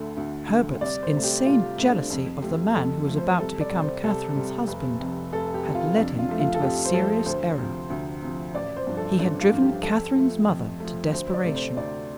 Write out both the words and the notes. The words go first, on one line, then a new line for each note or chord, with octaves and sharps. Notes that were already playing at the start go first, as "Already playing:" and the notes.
Herbert's insane jealousy of the man who was about to become Catherine's husband had led him into a serious error; he had driven Catherine's mother to desperation.
Already playing: D2 D3 A3
D2
D3 A3
C2 D5
C5
C3 A3
G4
C2 F4
C3 A3
D4
F2
F3 A3 G4
F2 A4
F3 A3
C5
C2 A4
D5
C3 G3
C5
C2 A4
C3 G3
F1
F2 C3
F1 A4
G4
F2 C3
F4
F2 D4
F4
F3 A3
F4
A4
F2 G4
C5
F3 A3 A4
D2 C5
C3 F3
D2
C3 F3
A1 D5
C5
G2 F3
A4
A1 D4
F4
G2 F3
G4
F2 A4
F3 A3
F2
F3 A3
D2 C5
C5
D5
C3 A3
C5
D2 D5